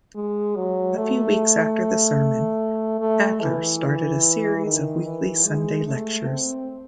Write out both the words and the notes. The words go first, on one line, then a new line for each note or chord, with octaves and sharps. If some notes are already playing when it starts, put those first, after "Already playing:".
A few weeks after the sermon, Adler started a series of weekly Sunday lectures.
G#3
F#3
A3
A3
E3
D#3
E3
G#3
A3
C4